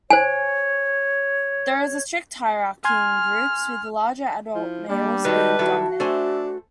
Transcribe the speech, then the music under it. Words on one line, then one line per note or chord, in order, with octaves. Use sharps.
There is a strict hierarchy in groups, with the larger adult males being dominant.
C5 C#5 G#5
G#5 C6 F6 G#6
F3 E4
G3 A#3 D4
D#3 D#4 F#4 A4 B4
D#3 E4 F#4 A4
A3 D4 C5 E5 G#5